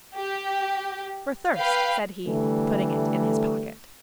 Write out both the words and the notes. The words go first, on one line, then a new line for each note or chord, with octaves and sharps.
"For thirst," said he, putting it in his pocket.
G4
B4 F5 G5
D3 E3 G3 A3